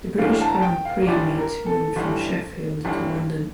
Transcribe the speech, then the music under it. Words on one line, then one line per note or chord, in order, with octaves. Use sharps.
The British Grand Prix meet moved from Sheffield to London.
G1 G2 E3 G3 F5
A5
A#5
A5
G5
F5
G1 G2 E3 G3 D5
A#4
A4
G1 G2 E3 G3
G1 G2 E3 G3